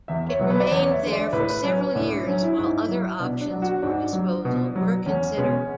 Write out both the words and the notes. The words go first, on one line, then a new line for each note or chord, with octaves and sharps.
It remained there for several years while other options for disposal were considered.
E2 E5
C#5
B2 F#3
B4
D5
E2 C#5
E5
D3 G#3
D5
A2 B4
B4
F#3 C#4
C#4
A2 D4
D4
F#3 C#4
E4
G#2
F#3
B2 D4
D4
F#3
F#4
G#2 D4
F#3
B2
F#3
E2 C#4
B2 G#3 C#4